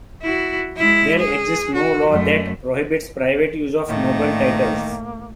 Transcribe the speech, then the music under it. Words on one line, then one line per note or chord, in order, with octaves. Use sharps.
There exists no law that prohibits private use of noble titles.
E4 F#4
G#3 E4
G#4
F#4
F#2 A3
A2 D#3 A#3